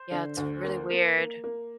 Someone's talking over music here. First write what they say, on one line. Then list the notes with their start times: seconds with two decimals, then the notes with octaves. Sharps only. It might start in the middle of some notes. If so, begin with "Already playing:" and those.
Yeah, it's really weird.
Already playing: C5
0.11 D3
0.37 D2
0.64 A#3
0.90 A#3
1.18 A#3
1.44 A#3